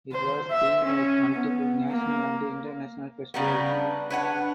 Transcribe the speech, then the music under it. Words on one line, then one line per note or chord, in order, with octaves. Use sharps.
It was screened at multiple national and international festivals.
C5
E5
C#4
B3
A#3
C#3 G3 B3 F5 A#5
D4
B4 C#5 F#5